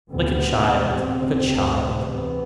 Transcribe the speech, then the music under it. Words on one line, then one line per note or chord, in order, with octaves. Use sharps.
Like a child, like a child.
D2 C3 B3
E2 C3 C4
D2 C3
E2 C3 B3